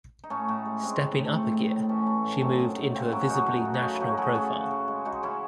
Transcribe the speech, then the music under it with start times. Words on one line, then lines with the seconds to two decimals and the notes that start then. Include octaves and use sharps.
Stepping up a gear she moved into a visibly national profile.
0.24 D#4
0.30 A2 A3 C#4
0.48 A2
0.65 G#3
0.83 G#3 C4
1.01 A2
1.18 A2
1.25 A3
1.36 A3 C4
1.54 A2
1.71 A2
1.89 E3 A3 C#4
2.07 A3
2.24 A2
2.41 F#3 C4 D#4
2.59 F#2
2.76 A3
2.95 C#3 C4
3.12 F#3 C#4 E4
3.30 F#2 D#4 F#4
3.47 A3
3.65 C#3
3.74 D#4 F#4
3.82 C#3
3.94 E4
4.00 F#3 D#4 F#4
4.17 A3 E4 G#4
4.35 C#3 F#4 A4
4.53 C#3
4.71 C#3
4.88 G#3
5.05 G#3 D#4 F#4
5.23 C#3 C#4 E4